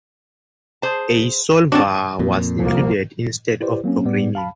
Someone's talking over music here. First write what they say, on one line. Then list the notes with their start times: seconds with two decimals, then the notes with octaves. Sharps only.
A solver was included instead of programming.
0.82 G#4 C5 A5
1.72 C4 D4 F#4 A5
2.19 F2 A#2
2.59 C2 F3 A#3
3.60 E4 G4 B4 C5 D5
3.84 F#3 A#3 C4 C#4
4.05 A2 G3 B3 D5
4.35 F5 A5 B5